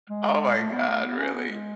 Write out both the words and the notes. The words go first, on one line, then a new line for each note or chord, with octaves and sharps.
Oh my god, really?
G#3
A3
B3
A3
B3
C#4
B3
G#3